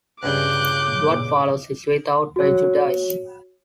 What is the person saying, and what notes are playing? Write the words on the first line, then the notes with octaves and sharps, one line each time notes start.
What follows is without prejudice.
C#2 G2 C#3 D6 F#6 G6
F#4 C#5